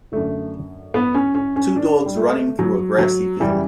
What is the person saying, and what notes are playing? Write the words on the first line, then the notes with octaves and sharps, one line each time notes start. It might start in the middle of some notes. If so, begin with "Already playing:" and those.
Two dogs running through a grassy field.
F#2 D3 A3
B3
C#4
C#4
C#4
D4
G3
A3
F#3
F#3
F#2 C#3 E3 G3